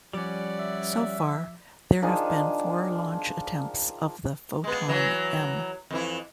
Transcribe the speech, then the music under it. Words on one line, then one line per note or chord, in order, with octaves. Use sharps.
So far, there have been four launch attempts of the Foton-M.
F3 G3 C#4 D5 F#5 D6
E5
D#3 F3 D4 G#4
G#3 B3
E3 F#3
F2 E3 E4